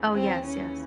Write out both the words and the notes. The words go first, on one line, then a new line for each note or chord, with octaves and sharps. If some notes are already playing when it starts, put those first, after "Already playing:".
Oh, yes, yes.
Already playing: D#2 C#3 E3
C4
C#4